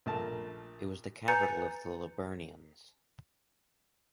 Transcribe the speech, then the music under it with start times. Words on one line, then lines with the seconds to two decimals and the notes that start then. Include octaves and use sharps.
It was the capital of the Liburnians.
0.06 A#1 A3 A#4 A5
1.28 B4 G#5 A#5 G6 A6 C#7